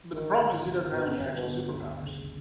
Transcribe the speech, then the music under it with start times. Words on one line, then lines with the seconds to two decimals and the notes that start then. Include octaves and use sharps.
But the problem is he doesn't have any actual superpowers.
0.13 G1 D#3
0.40 G1
0.67 G1
0.94 G2 B2
1.21 G1
1.35 B2
1.48 G1
1.75 D2
2.03 C#3